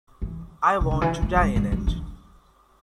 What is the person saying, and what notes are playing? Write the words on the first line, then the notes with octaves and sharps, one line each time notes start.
I want to die in it.
E3
C#3
D3
E3
A3
A3
G3
G3
F#3
E3